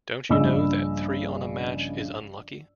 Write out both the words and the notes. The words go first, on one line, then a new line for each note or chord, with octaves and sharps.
Don't you know that three on a match is unlucky?
A#1 G2 C#3 D#5 B5 E6